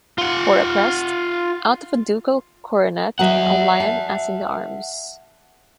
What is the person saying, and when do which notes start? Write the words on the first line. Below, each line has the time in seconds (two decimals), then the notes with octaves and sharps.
For a crest: out of a ducal coronet a lion as in the arms.
0.18 F4 F#5
3.19 F#3 F#4 D#5 E5 F#5
3.80 A5